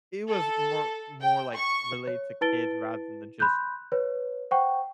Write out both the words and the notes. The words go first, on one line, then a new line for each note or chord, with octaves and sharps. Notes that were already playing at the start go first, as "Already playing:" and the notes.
it was more more, like, relate to kids rather than just
A4
G5
C#6
C#5
E4 B4 A5 A6 D7 G7
B5 C6 F#6 G6
B4 C#5
C5 F#5 G5 C#6